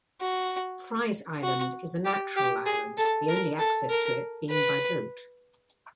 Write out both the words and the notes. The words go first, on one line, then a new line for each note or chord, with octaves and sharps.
Fry's Island is a natural island, the only access to it being by boat.
F#4
F#4
G4
G4
G#4
A4
A#4
A4
A#4
B4